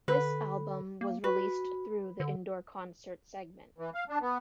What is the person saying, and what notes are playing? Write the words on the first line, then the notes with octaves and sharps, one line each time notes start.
This album was released through the Indoor Concert segment.
D3 B4
A#3
F#4 B4
D3
E3
F5
D4
B3